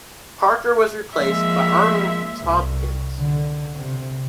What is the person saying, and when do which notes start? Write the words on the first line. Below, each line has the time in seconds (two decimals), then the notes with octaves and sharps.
Parker was replaced by Arnold Tompkins.
1.16 F3 G#3 A#3 E5
2.42 C2
3.18 D3
3.75 C3